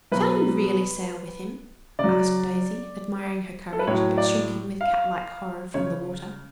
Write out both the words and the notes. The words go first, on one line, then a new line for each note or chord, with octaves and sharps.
'Shall you really sail with him?' asked Daisy, admiring her courage, but shrinking with cat-like horror from the water.
B2 F#3 B4
C#3 F#3 D5
A4
B4
A2 F#3 C#5
D5
F5
C#3 C#5